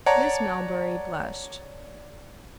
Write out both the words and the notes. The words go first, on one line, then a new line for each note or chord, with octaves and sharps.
Miss Melbury blushed.
C#5 D5 F#5 A5 A#5